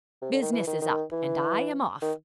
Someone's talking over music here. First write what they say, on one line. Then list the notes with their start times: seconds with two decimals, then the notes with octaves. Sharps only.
"Business is up and I am off!"
0.22 C3
0.33 D3
0.42 D#3
0.52 E3
0.67 D#3
0.82 D#3
1.12 E3
2.02 D#3